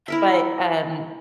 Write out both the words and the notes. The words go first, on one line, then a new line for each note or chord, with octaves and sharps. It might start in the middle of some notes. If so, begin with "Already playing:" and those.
but, um,
E4 A#4 E5